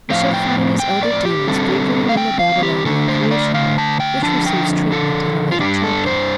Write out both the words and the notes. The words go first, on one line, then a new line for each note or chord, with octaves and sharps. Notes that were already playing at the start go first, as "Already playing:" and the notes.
We shall find these elder demons figuring in the Babylonian Creation myth, which receives treatment in a later chapter.
A2 F3 C4 F5
G5
G5
D5
G4
D3 G3 C4 A4
F5
G5
F5
G4
D3 A3 D4 A4
C5
D5
F5
A5
G5
D3 F3 D4 A5
G5
A4
F4
G2 G3 D4 G4
A4
C5